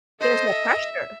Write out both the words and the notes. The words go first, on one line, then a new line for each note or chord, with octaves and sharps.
There's no pressure.
A4 C5 D#5
E5